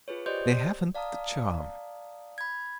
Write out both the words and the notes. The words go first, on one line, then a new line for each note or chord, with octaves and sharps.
They haven't the charm.
F4 G#4 B4 C#5
G4 C5 D5 D#5 C6 G6
D5 F5 A5 A#5 D#6
B5 G#6